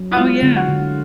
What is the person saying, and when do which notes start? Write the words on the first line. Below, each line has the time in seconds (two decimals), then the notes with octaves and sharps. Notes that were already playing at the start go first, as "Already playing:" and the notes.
Oh, yeah.
Already playing: F#3
0.11 E4
0.16 G#3 F4
0.43 D3
0.56 F#4
0.69 D3